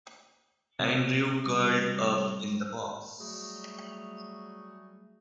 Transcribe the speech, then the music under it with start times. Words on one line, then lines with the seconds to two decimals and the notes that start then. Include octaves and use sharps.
Andrew curled up in the box.
0.79 C3
1.46 G3
3.19 F#3 G3 A3 F#4 G#4